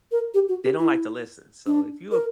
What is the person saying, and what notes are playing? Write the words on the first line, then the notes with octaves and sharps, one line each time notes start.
they don't like to listen. So if you a
A#4
G4
F#4
G4
E4
D4
A#4